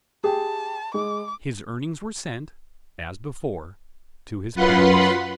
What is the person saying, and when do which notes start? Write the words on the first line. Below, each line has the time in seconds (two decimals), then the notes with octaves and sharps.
His earnings were sent, as before, to his parents.
0.24 G4 G#4 A5
0.94 G#3 D6
4.55 F#2 F4 B4 F#5 B5 C6